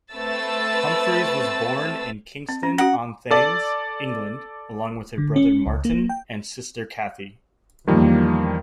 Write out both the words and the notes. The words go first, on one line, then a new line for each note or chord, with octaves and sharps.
Humphreys was born in Kingston-on-Thames, England, along with her brother Martin and sister Cathy.
A3 C4 B4 E6 A6
C4
C#4
C#4 F#4 F#5
A4 D5
D3
C#4
C#2
A#3
G5
E2 D#3 F3 G3 A#3